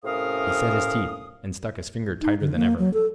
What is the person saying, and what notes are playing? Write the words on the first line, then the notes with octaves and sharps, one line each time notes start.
He set his teeth, and stuck his finger tighter than ever.
A2 C3 C#4 A#4 F5 D#6
D#4
D3
A#3
F#3
A4